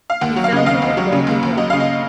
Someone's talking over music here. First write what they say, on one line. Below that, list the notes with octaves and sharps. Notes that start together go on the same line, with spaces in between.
He found him with Lord de Warenne.
F5
D#2 F#5
F#3
F5
C#3 D#5
D#2 F5
D#2
F#3
C#3
D#2
D#2
F#3 D#5
C#3 F5
D#5